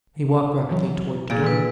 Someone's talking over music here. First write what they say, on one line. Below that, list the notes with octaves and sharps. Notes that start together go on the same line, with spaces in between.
He walked rapidly towards the door.
B2 E3 F#3
A#2 A#3 G#4
D#3 E3 B4 E6